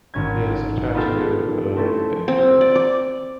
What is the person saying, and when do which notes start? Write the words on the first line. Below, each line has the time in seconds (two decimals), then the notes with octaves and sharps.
He has a tattoo of Babe Ruth.
0.14 G#1 C#4 G#6
0.94 B3 D#4 F4 G4 A4
1.76 A3 C4 C#4 E4 A4
2.28 C4
2.61 D5
2.76 D5